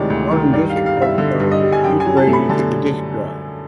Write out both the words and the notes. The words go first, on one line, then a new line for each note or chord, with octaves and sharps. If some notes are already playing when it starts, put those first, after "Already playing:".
Modern disk controllers are integrated into the disk drive.
Already playing: D2 C3 D#3 G#3 C#5 D5
D2
D#3
G2 D5
F5
G3
F5
G2 E5
D3
G2
D#5
G3
G#5
F#2 G5
G#5
F#3
A5
A3
B5
D3 A5